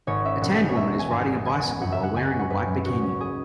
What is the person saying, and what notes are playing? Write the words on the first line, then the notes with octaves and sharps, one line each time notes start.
A tanned woman is riding a bicycle while wearing a white bikini.
G#1 C#5
C#4 E5
E1 F#5
G#3
C#5
E2 E5
B3
G#5
G#1 G#5
G#3
C#2 G#5
F#5
B3 G#5
F#2 F#5
E5
F#2 F#5
C#2 G#5
C#4
F#5
F#2 B4
F#2
G#1 F#4
C#4
G#4